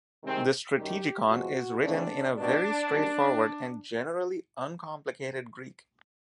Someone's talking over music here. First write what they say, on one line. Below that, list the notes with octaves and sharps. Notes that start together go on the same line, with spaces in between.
The Strategikon is written in a very straightforward and generally uncomplicated Greek.
C3 D#3 G#3 C4
F#2 D#3 G3 G4
E2 C3 F3 G#3 F#4
C#3 E3 A3 C4 D4
B2 G3 A#3 D4
F#2 D#3 G3 A#3 C#4